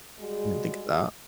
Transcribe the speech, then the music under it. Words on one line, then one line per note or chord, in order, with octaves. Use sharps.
didn't think of that.
G3 G#3 F#4 G#4